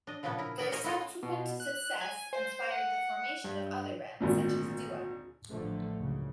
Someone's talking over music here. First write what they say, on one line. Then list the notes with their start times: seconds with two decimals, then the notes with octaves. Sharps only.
Their subsequent success inspired the formation of other bands, such as Dewa.
0.07 D4 D#5
0.23 A#2 C#3 F3 B3 C#4 D4
0.38 E4 A#4
0.58 G#4 A#4 D5
0.72 C#4 A#4 C5 C#5 D#5 G#5
0.84 E4 F#4 A4 D#5
1.23 B2
1.60 F#6
2.01 G#5
2.33 C5
2.71 F#5
3.44 G2
4.21 G#1 D2 A#2
5.49 A1 D3 F3 A3
5.98 C#2 F#2 C#3